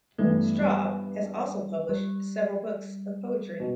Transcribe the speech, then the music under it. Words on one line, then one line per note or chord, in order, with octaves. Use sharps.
Straub has also published several books of poetry.
G2 E3 A3 B3
G3
G3
B2